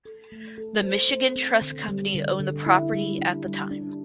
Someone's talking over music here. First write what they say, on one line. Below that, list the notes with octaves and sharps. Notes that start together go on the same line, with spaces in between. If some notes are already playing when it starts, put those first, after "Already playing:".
The Michigan Trust Company owned the property at the time.
A4
A3
A4
C5
C5
C4
D3
G3
D3
D3
E4
G3
D4
G3
D4